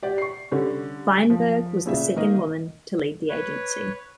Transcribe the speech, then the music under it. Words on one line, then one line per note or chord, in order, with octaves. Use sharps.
Feinberg was the second woman to lead the agency.
G4 D5 F#5
C#6 C7
D3 G3 C#4
F3
A#2 C#3 E5
D#3 A#3 D#5
B4 C#5